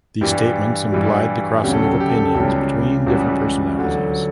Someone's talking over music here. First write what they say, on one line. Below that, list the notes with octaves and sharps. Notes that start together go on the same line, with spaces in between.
These statements implied the crossing of opinions between different personalities.
G2 E3 G3 G4
G2 E3 G3
D2 C#3 F#3 G4
A4
G4
A4
G4
A4
G4
A4
C#2 C#3 E3 G3 G4
C#2 C#3 E3 G3 F#4
D2 D3 F#3